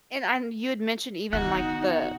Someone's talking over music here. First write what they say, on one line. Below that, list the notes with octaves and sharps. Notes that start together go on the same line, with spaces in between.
And I'm you had mentioned, even, like, the
D#3 B3 D#4 F#4 F#6